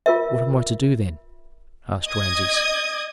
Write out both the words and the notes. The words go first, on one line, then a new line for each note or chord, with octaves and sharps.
"What am I to do, then?" asked Rameses.
F4 A#4 E5
D#5 D#6 G#6